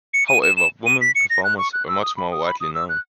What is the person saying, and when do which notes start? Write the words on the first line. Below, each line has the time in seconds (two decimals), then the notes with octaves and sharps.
However women performers were much more widely known.
0.14 C#7
0.28 D#7
0.43 E7
0.57 E7
0.86 D#7
1.01 B6
1.15 C#7
1.30 A#6
1.44 F#6
1.58 C#6
1.73 F#6
1.88 E6
2.02 D#6
2.17 B5
2.32 D#6
2.46 B5
2.61 D#6
2.75 E6
2.89 F#6